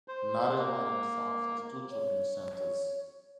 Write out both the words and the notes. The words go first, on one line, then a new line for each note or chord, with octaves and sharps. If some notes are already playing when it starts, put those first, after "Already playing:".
Narre Warren South has two shopping centres.
C5
A#3
C#5